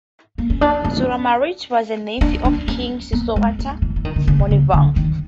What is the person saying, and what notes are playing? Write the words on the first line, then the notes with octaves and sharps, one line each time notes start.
Suramarit was a nephew of King Sisowath Monivong.
A#3
C#4
D4
C#4
D4
D4
C#4
B3
G#3
A3
E3
E3
D#3
D3
C#3
C3
C#3
D3
D#3